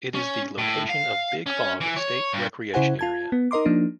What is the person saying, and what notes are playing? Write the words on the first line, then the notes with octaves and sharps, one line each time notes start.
It is the location of Big Bog State Recreation Area.
C#4
A2
F5
C#4
E3
C#5
G2
C#3 E4 C5 F#5 G#5
F4 A5 G#6
B3
D#4 A#4 D#5 C6 D6
F3 A#3 D4 D#4